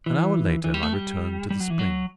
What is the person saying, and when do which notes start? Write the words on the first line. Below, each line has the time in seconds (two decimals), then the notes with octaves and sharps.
An hour later I returned to the spring.
0.06 E3
0.64 E3
0.74 G3
0.83 A3
0.93 G3
1.51 G3
1.60 F#3
1.70 E3
1.79 F#3